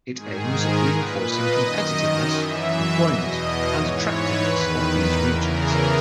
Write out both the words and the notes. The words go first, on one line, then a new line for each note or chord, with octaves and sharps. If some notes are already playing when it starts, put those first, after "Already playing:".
It aims at reinforcing competitiveness, employment and attractiveness of these regions.
G#2 D#3 G#4
A#4
A#2 B4
D#5
F#2 D#3
D#5
F#2 E3 E5
E2 B2 D#5
D#5
G#2 E3 C#5
B4
E2 D#3
E2 C#3 E3 A#4
G#4